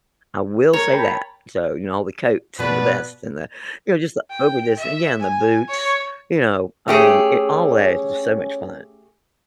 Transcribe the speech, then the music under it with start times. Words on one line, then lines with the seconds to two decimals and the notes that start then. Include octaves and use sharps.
I will say that. So, you know, all the coats, and the vests, and the you know, just the over this. Again, the boots. You know? I mean, it always is so much fun.
0.73 A#4 C#5
0.92 G5 A5 B5
2.59 B2 F3 B3 B4 D5
4.30 G5
4.77 E5
5.19 G#5
5.68 C#5
6.88 A3 C#4 G4 G#4